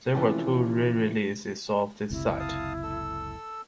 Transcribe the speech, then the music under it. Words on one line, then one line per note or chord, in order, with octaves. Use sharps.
There were two rereleases of this set.
C3 E3 F3 C#4 G4 A5
F#1 C#2 C3 E4
F5 A5 D#6
A4 E6